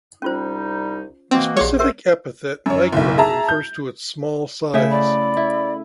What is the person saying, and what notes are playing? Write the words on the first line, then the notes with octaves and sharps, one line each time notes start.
The specific epithet "micra" refers to its small size.
C2 G3 C#4 D#4 F4 C5
B2 E3 A#3 C4
A#1 G4 G#4 C#5 D5
G#2 B3 G4 A#4 C5 E5
F#2 C#5
F#1 B1
G#4 E5 A5 A#5
G6
C#3 A3 E4 E5
D5 B5
E4